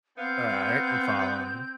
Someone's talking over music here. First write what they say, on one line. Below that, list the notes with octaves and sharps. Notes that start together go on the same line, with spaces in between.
All right, I'm following you.
B3 C4 F5 G6